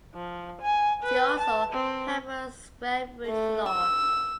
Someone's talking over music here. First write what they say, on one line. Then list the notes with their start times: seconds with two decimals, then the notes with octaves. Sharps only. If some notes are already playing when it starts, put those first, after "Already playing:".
See also Penrose square root law.
0.14 F3
0.61 G#5
1.03 B4
1.40 A5
1.72 C4
3.27 A3
3.69 E6